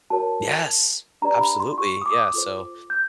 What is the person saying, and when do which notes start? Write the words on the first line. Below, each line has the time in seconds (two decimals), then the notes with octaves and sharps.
Yes, absolutely, yeah, so,
0.10 F#4 A#4 C#5 A5
1.22 D4 G4 B4 D5 A#5
1.41 B5
1.60 C6
1.78 C#6
2.02 D#6
2.06 D6
2.34 F4 A4 C5
2.90 G6